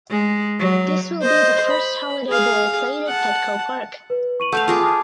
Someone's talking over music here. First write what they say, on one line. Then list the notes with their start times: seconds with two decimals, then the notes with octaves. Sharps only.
This will be the first Holiday Bowl played at Petco Park.
0.10 G#3
0.59 F#3
1.21 C5 D#5
1.71 B5
2.28 G#4 F5
3.07 F#5 A5
4.10 B4
4.40 C#6 D#7 F#7
4.52 A3 B4 F5 F#5 E6 G6
4.68 F4 G#4 D5
4.81 A5 D#6 F6